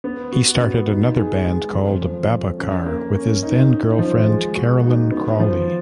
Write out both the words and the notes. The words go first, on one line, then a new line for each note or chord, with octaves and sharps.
He started another band called Babacar with his then-girlfriend Caroline Crawley.
B3
F#4
B3
D#4
G#4
G#3
F2
F3
F2
C#4
A#3
C#4
D#4
D#4
F3
G#3
F#4
D#4
B3
F3